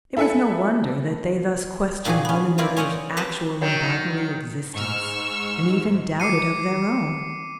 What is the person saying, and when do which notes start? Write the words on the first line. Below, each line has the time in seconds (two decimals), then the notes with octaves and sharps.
It was no wonder that they thus questioned one another's actual and bodily existence, and even doubted of their own.
0.17 E4 A4 E5 G#5 C#7
2.05 A#2 D#3 F3 F#4 G#4
2.25 B3 C#4
2.58 A#3 C4 E4 F4 A#4 D5
2.77 C#4 C#5 D#5 F#5 G5
3.17 C4 G4 B4 C5 F#5 A5
3.61 D#3 F#3
4.74 G#2 C#6 E6 F6
6.20 D6 C7 C#7 D#7